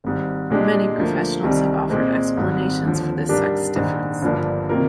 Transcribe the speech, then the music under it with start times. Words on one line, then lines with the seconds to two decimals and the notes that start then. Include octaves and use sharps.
Many professionals have offered explanations for this sex difference.
0.04 G#1 G#2 G3
0.50 A#2 G#3 D4 G4
0.97 D2 D3 F3 A#3
1.43 C2 C3 D#3 G3
1.90 A#2 G#3 C4
2.37 G#1 G#2 G3
2.83 D#2 D3 F3
3.29 G#2 G3 D4 G4 A#4
3.76 A#1 G#2 D#3
4.22 G1 G2 F3 A#3 D4
4.69 C3 D#3 A#3 F4 A#4